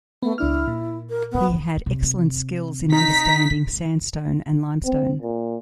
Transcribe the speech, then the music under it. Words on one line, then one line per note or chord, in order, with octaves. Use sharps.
He had excellent skills in understanding sandstone and limestone.
A3 B3
C#2 D4 E4 F6
A#2
A#4
B3
C3
D#4 A#5 B6
C4
A#2